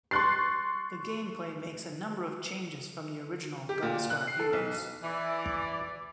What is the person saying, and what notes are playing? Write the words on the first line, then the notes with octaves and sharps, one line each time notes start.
The gameplay makes a number of changes from the original "Gunstar Heroes".
C6 C#6 F#6 A6 C7
G4
A#2
F#6
C7
A4
B1
E3 D5